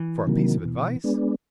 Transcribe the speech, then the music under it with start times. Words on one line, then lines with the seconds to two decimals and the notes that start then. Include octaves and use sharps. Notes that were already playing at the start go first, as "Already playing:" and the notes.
For a piece of advice!
Already playing: E3
0.27 C3 D#3 F#3 A#3
0.65 B2
1.04 G#3 B3 D4